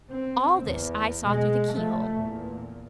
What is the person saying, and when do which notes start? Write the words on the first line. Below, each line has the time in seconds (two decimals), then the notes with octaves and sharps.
All this I saw through the key-hole.
0.10 C4
0.65 E2
1.25 B2 G#3
1.70 C3 F3 A3
2.16 E2 A#2